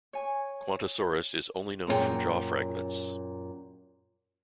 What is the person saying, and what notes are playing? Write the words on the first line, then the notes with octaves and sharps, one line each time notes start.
"Qantassaurus" is only known from jaw fragments.
C#5 G#5
F#2 A#2 C#4 E4 G#4 G5